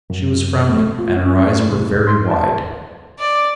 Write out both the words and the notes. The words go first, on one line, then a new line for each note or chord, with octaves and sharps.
She was frowning, and her eyes were very wide.
F#2
A3
F4
C#4
A3
C2
C6
A5
D5